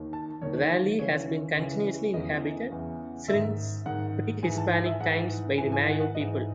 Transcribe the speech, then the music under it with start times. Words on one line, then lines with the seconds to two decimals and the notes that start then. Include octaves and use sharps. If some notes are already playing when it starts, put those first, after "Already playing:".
The valley has been continuously inhabited since pre-Hispanic times by the Mayo people.
Already playing: D#2 D#3
0.13 A5
0.41 D#2 D#3 C#5
0.99 C#2 C#3 E3 C#5
1.56 C#2 C#3 E3 D#5
2.14 E2 C#3 E3 D#5
2.71 E2 C#3 E3
3.28 G#2 D#3 E5
3.86 G#2 D#3 F#5
4.43 G#2 E3 G#5
4.58 A5
4.72 G#5
4.86 E5
5.00 G#2 E3 F#5
5.58 E3 G#5
5.62 G#2
5.72 G#5
5.86 F#5
6.01 F#5
6.15 G#2 E3 D#5